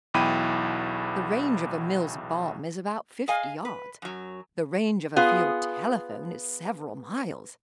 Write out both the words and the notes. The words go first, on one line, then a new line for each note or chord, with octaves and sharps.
The range of a Mills bomb is about fifty yards; the range of a field telephone is several miles.
B1 E2 E4 G5 B5 D#7
G#4 D#5 F5 G#5
B4
F#2 F#3
B3 F4 G#4